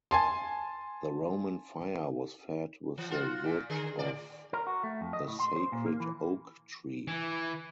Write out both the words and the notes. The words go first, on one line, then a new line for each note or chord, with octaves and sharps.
The Roman fire was fed with the wood of the sacred oak tree.
G#5 A5 C6
E3
F4 F#4
A#2
D3 G#4
A2 D5
A#4
F#4
A3
F2
D#5
A2
C6
C5
A#2
A#3
E3
E3